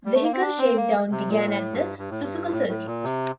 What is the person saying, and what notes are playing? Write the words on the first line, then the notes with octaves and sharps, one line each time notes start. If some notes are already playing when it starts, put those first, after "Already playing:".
Vehicle shakedown began at the Suzuka Circuit.
G3
A3
A#3
C4
D4
C4
A#3
C3
A#2
A2
G2
G2
A2
G2
A2
A2
A#2
C3